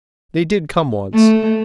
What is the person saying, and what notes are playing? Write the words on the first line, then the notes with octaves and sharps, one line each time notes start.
They did come once.
A3